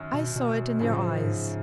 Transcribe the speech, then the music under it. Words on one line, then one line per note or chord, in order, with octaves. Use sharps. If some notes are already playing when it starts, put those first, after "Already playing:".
I saw it in your eyes.
Already playing: F#2 D#3 C#4
B2
B2
F#2 A2 C#3 F3
G#2